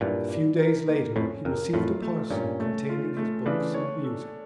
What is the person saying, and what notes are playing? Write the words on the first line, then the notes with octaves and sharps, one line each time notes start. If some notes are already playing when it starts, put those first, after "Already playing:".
A few days later he received a parcel containing his books and music.
G2 A#2 E4
D5
A#4
A#3
F2 A2 C#4
F2 A#4
F2 A2 F4
A3
G2 A#2 C#4
A3
F4
A3
C#3 E3 D4
C#5
A4